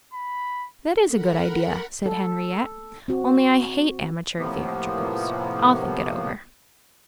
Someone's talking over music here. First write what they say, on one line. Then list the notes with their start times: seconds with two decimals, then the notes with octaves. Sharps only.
"That is a good idea," said Henriette; "only I hate amateur theatricals. I'll think it over."
0.13 B5
1.11 A4 A#4 F#5 B5
2.06 A4
3.08 C4 F#4
4.38 A2 C3 F3 A#3 B3